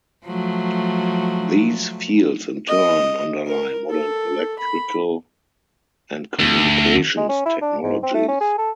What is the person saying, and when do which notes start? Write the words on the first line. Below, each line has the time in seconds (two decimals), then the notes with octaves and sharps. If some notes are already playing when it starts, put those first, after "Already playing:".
These fields in turn underlie modern electrical and communications technologies.
0.24 F3 F#3 A3
2.68 D#5
3.47 A#4
3.90 A4
4.59 B5
6.40 D2
7.17 G#3
7.29 C#4
7.45 E4
7.62 D4
7.84 G#2
8.03 C4
8.14 A3
8.28 C#4
8.41 G#4
8.58 A4